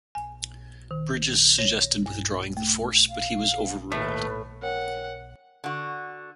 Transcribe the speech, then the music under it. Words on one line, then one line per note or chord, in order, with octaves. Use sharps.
Bridges suggested withdrawing the force, but he was over-ruled.
G#5
D#3
C#5
G2
A3
F5
D#2 A2 A3 B4
A#4 C#5 F#5 G5
D3 F#4